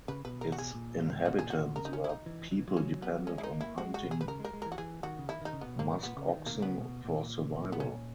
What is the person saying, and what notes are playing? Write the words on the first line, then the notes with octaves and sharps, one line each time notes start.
Its inhabitants were people dependent on hunting muskoxen for survival.
C#3 B4
B2 B4
A#4
F#4
G#4
A#2
G#2
A#2 F#4
A#2 G#4
B2 F#4
A#2
C#3 A#4
D#4
C#4
E4
D#4
E3
F#3
E3
F#3
C#4
B3
G#3 C#4
E4
D#4
A#3
E4
G#3 F#4
F#4
B2
G#4
B4
C#3 A#4
G#3
A#4
G#3
E3 A#4
F#4
E3 G#4
D#3 F#4
C#3
D#3 E4
D#3 D#4
C#3
B2 B3
G#2 A#3
A#2
A#2 B3
C#3
D#3
B2 A#3
C#3
B3
B2
A#2
B3
C#4